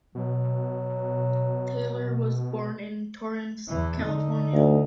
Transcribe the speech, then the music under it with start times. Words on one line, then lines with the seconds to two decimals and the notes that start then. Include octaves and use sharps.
Taylor was born in Torrance, California.
0.15 B2 F#3
3.68 E2 E3
4.01 D3 D#4
4.53 D2